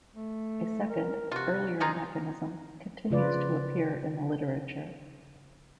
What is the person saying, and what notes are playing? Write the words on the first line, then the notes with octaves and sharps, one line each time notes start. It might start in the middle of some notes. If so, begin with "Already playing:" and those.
A second, earlier mechanism continues to appear in the literature.
A3
A#4
C3 F4 F#4
D#4 F4 G#4
C#3 F3 F4 B4 D5